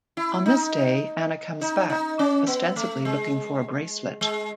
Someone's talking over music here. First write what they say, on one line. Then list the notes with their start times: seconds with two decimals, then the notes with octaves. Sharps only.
On this day, Anna comes back, ostensibly looking for a bracelet.
0.17 E4
0.46 D#4
1.61 D#4
1.90 D#4
2.19 C#4
2.47 B3
2.76 A3
3.05 G#3
4.21 G#3